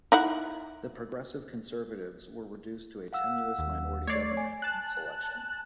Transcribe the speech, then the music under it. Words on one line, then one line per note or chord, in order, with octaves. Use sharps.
The Progressive Conservatives were reduced to a tenuous minority government in this election.
D#4 E4 F#5
F5 F#5 E6
D#2
A3 C#5 D5 C7
G#5
A5 F#6